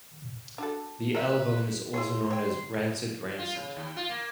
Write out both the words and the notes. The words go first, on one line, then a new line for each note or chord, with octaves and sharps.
The album is also known as Rancid Rancid.
D4 F#4 A4
A#4 B4 E5
E4 G#4 C#5 C6
C#5 G5
F4
C#3
D#2
F4
A#3